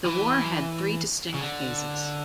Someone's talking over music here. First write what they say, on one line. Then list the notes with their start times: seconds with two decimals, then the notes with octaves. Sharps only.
The war had three distinct phases.
0.06 E3
1.34 C#3
1.41 D3